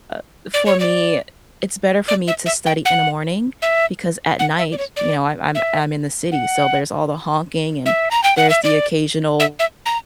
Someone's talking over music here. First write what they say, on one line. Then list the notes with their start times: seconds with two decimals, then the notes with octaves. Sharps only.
uh, for me, it's better for me to study in the morning because at night, you know, I'm I'm I'm in the city, so there's all the honking and there's the occasional
0.54 D5
0.66 C#5
0.80 D5
2.08 D5
2.28 E5
2.46 E5
2.66 G5
2.85 F#5
3.62 E5
4.39 F#5
4.58 E5
4.72 D5
4.78 C#5
4.97 D5
5.55 E5
6.32 F#5
7.86 E5
8.11 A#5
8.24 G5
8.37 F#5
8.50 E5
8.63 D5
9.40 E5
9.59 E5
9.86 A#5